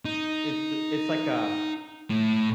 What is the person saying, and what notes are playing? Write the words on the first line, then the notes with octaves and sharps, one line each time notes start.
It's it's like a
D#4
A2